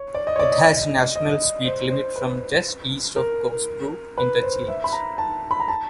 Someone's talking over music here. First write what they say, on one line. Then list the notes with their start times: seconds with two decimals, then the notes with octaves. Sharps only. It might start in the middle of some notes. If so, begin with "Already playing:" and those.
It has National Speed Limit from just east of Goresbrook Interchange.
Already playing: C#5
0.15 D5
0.27 D#5
0.36 C#5
0.39 D5
0.52 D#5
0.65 D#5
1.16 D#5
1.65 C5
1.90 C5
2.16 B4
3.16 A#4
4.18 B4
4.43 C5
4.68 E5
4.84 B5
4.93 A#5
5.18 A5
5.51 B5
5.60 A#5
5.68 A5